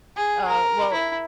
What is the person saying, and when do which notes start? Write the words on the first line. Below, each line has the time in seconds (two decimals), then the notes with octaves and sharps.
Uh, well,
0.16 G#4
0.48 A#4
0.93 E4